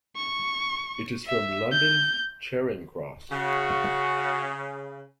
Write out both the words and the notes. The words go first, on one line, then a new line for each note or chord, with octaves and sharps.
It is from London Charing Cross.
C#6
E5
G6
C#3 F#4